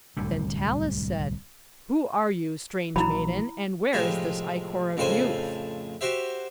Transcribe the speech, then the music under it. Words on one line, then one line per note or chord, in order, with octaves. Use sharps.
Then Talus said, "Who are you, strange maiden; and where is this ichor of youth?"
D1 C2 F#2 D3
A#1 E3 F#3 E4 A#5 B5
A2 C3 F3 G#3 E4
F2 A2 C#3 A4 C5 G#5
F#4 G4 C5 E5